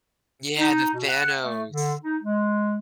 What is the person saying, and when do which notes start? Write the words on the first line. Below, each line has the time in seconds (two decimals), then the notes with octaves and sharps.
Yeah, the Thanos.
0.59 D#4
0.94 B2
1.08 F#5
1.40 A3
1.71 D3
2.03 D#4
2.24 G#3